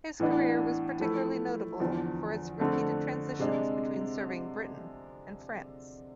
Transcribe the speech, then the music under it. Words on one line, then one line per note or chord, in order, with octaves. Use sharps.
His career was particularly notable for its repeated transitions between serving Britain and France.
A2 E3 B3 D4
F3 A3 E4
E2 D3 F3
F2 D3 A3
C3 G#3 D4